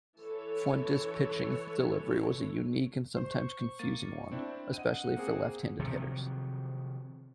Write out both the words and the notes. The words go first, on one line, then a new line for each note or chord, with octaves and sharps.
Fuentes' pitching delivery was a unique and sometimes confusing one, especially for left-handed hitters.
E3 A4 B4 C#5
C5 C#6
A#3 A6 D#7
C4 D4 E4
D#5 F#5 D#7
A#3 C4 G#4
C3 D#3 F3 F#3